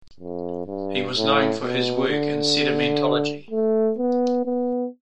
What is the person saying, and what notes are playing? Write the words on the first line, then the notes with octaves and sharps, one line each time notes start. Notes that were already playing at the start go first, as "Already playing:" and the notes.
He was known for his work in sedimentology.
F2
G2
A2
B2
D3
A3
B3
B3